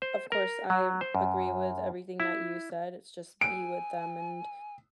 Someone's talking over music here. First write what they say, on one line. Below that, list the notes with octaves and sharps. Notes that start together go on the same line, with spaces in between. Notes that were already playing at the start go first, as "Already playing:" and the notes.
of course I agree with everything that you said. It's just be with them and
C5
A#4
F#3
C5
F#2
E4
G#5 D7